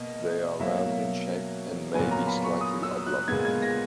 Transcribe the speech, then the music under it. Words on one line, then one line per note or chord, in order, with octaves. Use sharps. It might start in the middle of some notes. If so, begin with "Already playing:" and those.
They are round in shape and may be slightly oblong.
Already playing: B2 A#3 D#5
B2 F#3 A#3 E5
A#2 F#3 B3 G#5
A#5
B5
C#6
D#6
E6
F#6
A#2 G#3 B3 G#6
G#6
A#6